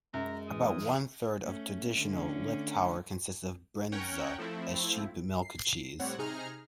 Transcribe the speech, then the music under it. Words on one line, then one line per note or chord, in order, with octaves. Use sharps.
About one third of "traditional" Liptauer consists of bryndza, a sheep milk cheese.
F#2 G#3 A#5
E3 G#4 D#6
A3 C#4
D3 A3 C#4
C#4 A#4 C#5 F#5 G5
F3 A3 C4 E4
C7
A2 G3 C4 C#5 F#5
C3 D#4 G#4 A#5 F6